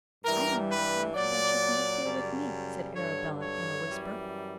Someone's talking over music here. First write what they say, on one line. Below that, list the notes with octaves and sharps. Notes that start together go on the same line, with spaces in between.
"I don't mean to let the Duchess interfere with me," said Arabella in a whisper.
G2 E3 G3 A#4
B4
A#2 F#3 D5
F#2 C#3 G3
G2 D3 F#3 C#5
C#5
F#2 E3 G3